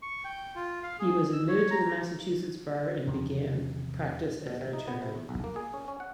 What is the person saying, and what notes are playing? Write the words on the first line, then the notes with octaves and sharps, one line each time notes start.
He was admitted to the Massachusetts Bar and began practice as an attorney.
C#6
G5
F4
F5
G#4
E6
C#5
A#5
E2 C3 D#3 F3
B2
C3
D#4
B3
C3
E2
B1
A#3
G#4
C#4
C#4
F#5